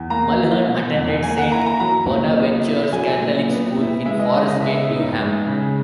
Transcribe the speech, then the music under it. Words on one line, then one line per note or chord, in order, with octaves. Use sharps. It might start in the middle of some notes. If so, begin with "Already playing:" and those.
Mulhern attended Saint Bonaventure's Catholic School in Forest Gate, Newham.
Already playing: E2
A#3 A#5
E4
B2
E2
A#3 G#5
F#5
E4 A#5
A#5
F#3 A#5
A#2
B3
E4
F#3 G#5
A#2
B3
E4
G#3 E5
D#5
C#3 D#5
D#5
B3 E5
D#4
G#3
C#3